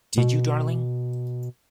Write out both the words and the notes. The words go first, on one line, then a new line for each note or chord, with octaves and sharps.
Did you, darling?
B2